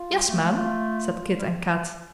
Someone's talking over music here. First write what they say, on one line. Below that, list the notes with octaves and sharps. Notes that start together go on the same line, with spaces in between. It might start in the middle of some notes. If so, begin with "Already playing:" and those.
"Yes, Ma'am," said Kit and Kat.
Already playing: F4
G3
A3
A3
F4
G3